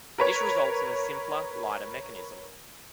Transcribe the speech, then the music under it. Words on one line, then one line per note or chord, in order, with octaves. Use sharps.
This results in a simpler, lighter mechanism.
A#4 B4 C#5